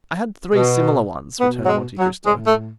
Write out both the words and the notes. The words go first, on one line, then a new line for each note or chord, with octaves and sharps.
"I had three similar ones," returned Monte Cristo.
B2
B2 B3
F#3
G#3
F#3
A2 G#3
A3